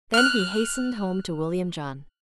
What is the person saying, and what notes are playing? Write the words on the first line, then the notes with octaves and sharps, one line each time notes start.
Then he hastened home to William John.
F6 F#6